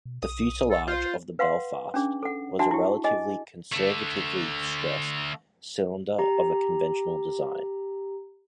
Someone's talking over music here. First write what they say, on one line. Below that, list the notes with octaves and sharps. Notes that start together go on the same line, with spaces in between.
The fuselage of the Belfast was a relatively conservatively-stressed cylinder of a conventional design.
B2
B1 D#6
A4
F4 C5
B4 F5 F#5 C6
C#4 D4 G#4
A4 F#5
D4 F#4 E5 F#5 A5
E4 G4
G#4 D#5 G#5
D3 A3
G4 A#5